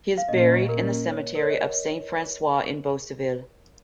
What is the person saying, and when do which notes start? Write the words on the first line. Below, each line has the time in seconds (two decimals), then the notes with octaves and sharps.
He is buried in the cemetery of Saint-Francois in Beauceville.
0.18 F5
0.28 A#2 A#3 C#4 D#5
0.69 A#4
1.10 C#5
1.35 A#4
1.43 C#5
1.50 D#5